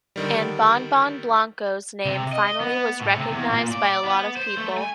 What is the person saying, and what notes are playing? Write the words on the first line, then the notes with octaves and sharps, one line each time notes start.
And Bon-Bon Blanco's name finally was recognized by a lot of people.
D3 D#3 G3
C3
D#5
B3
A2
C3
E2
A#2
D5
B3
C5
A3
G#5